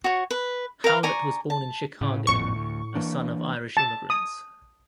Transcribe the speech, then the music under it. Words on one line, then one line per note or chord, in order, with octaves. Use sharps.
Howlett was born in Chicago, a son of Irish immigrants.
F#4 C#5
B4
A#4 B4 F5 A#5
D5 G#5 A#5 C#6
A5
A2 C#3
G#1 F2 A#2 C#6
D2
E3 A#3 D4
A5
D#6